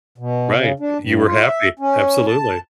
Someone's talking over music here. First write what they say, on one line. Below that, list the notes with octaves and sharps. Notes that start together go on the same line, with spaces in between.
Right, you were happy, absolutely.
B2
C#3
D4
G2
F4
E5
C#4
A5